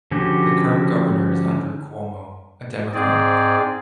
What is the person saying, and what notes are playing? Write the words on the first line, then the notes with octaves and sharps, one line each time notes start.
The current governor is Andrew Cuomo, a Democrat.
D3 F3 C#4 F#4 G4
G#2 C4 G#4 D5